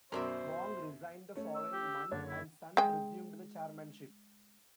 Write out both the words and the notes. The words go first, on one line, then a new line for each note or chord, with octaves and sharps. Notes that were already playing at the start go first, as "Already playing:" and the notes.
Wang resigned the following month, and Sun resumed the chairmanship.
F#2 B2 A#4 C5 D5 E5
A3 C#4
E6
G4
F#1 D3 D4 C#5
E4
G#3 G5